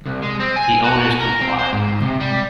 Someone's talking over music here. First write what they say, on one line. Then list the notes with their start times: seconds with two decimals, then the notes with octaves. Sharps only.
The owners complied.
0.06 C2
0.22 G#3
0.40 C4
0.56 G#5
0.84 F#4
1.20 A#4
1.41 C4
1.59 C5
1.73 G#2
2.02 C3
2.20 G3